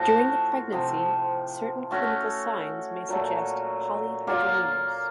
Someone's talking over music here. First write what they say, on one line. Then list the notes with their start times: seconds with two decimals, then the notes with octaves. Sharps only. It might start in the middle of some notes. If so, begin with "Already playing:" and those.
During the pregnancy, certain clinical signs may suggest polyhydramnios.
Already playing: A2 F3 F#4
0.72 C3 F3 C4
1.91 A3 C#4 F#4
3.08 A#2 F#3 A3
4.27 F#3 A#3 F4